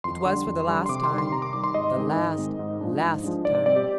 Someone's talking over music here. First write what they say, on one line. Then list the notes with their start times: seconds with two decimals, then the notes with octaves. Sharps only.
It was for the last time--the last, last time.
0.04 F2 C6
0.25 D3 G3
0.47 F2
0.68 D3 G3
0.86 C6
0.89 C3 D6
1.04 C6
1.11 D#3 G3
1.18 C6
1.31 C3 A#5
1.42 D6
1.53 D#3 G3 D6
1.64 C6
1.74 G#2 D#5
1.96 D#3 G#3 C4
2.16 G#2
2.38 D#3 G#3 C4
2.59 G#2
2.81 F3 G#3 D4
3.01 G#2
3.24 F3 G#3 D4
3.45 G#2 D5
3.55 D5
3.65 G3 C4 D5
3.76 G4